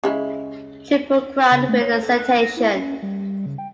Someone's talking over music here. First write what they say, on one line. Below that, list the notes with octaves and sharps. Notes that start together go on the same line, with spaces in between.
Triple Crown winner Citation.
C#3 G#3 E4
C#3
A3
C#5
A4
F#6
A#6
E4
C#4
G3
G3
C#3
G5